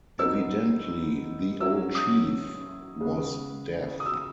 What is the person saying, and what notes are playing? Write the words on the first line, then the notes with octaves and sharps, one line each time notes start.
Evidently the old chief was deaf.
F#3 B3 D#4 E6
F#3 C#4 E4 E6
D#6
C#3 G#3 B3
D#6
E6